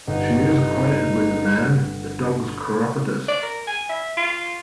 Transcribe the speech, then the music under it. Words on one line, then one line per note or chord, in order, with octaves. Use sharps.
She is acquainted with the man, the dogs' chiropodist.
G1 D#4
D5
A#4
G#5
E5
F4